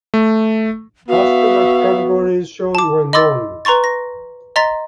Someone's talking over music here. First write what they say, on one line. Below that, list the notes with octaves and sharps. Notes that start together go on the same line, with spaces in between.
Hospital category is shown when known.
A3
B3 F#4 E5 F5
A5 D6
D#5 B5 C6 D6 E6 A6
B4 A#5 C6 C#6 A6
A#6
D#5 A#5 C6 A6 B6